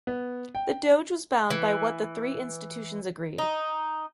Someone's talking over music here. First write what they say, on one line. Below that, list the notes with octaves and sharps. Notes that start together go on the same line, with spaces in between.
The Doge was bound by what the three institutions agreed.
B3
G5
E3
D#4